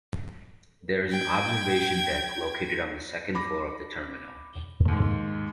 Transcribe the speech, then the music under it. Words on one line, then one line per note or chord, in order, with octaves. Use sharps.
There is an observation deck located on the second floor of the terminal.
G5 G#6
B5 D6 A#6
D#2 G#2